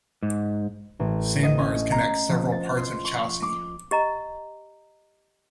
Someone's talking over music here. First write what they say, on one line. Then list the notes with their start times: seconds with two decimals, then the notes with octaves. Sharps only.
Sandbars connect several parts of Chausey.
0.23 G#2
1.00 A1
1.43 D#5
1.59 C#4
1.92 A#5
2.29 F3
2.52 A6
2.77 C6
3.05 C#6
3.42 D6
3.91 G4 D#5 A#5